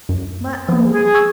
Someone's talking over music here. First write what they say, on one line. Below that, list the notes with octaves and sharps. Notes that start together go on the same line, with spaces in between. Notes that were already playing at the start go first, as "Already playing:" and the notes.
My own!
F#2
F3 A#3
G#4
C#6 E6 G#6